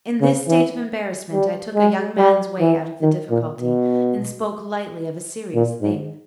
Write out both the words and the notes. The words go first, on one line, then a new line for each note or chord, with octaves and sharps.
In this state of embarrassment I took a young man's way out of the difficulty, and spoke lightly of a serious thing.
C#3
E3
G3
G#3
G3
E3
D#3
A#2
B2
A#2
G#2